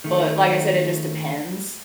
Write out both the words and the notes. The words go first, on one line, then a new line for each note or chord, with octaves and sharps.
but, like I said, it just depends.
D#3 A3